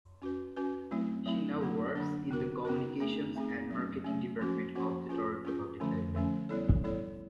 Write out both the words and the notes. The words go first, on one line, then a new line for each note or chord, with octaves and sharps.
She now works in the communications and marketing department of the Toronto Public Library.
C#4 F#4 B4
C#4 F#4 B4
F#3 A3 C4 E4
F#3 A3 C4 E4
D3 F#3 A#3 D4
D3 F#3 A#3 D4
B3 D#4 F#4 A#4
B3 D#4 F#4 A#4
A3 C4 D#4 G#4
A3 C4 D#4 G#4
F#3 A3 C#4
F#3 A3 C#4
F3 A#3 C#4 F#4
F3 A#3 C#4 F#4
C#4 F4 G#4 B4
C#4 F4 G#4 B4
D3 F3 A3 C#4
D3 F3 A3 C#4
G3 B3 E4 A4 C#5
G3 B3 E4 A4 C#5